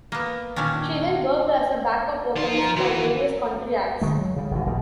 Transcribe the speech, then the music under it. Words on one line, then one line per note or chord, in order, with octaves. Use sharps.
She then worked as a backup vocalist for various country acts.
A#3 B3
A#2 D#3 C#4 D4
F3 D#4 C6
A#5
E3 F#4
D3 G#3 A3
F#3
C#3 G3
G#1 B2
A#1 B2 G3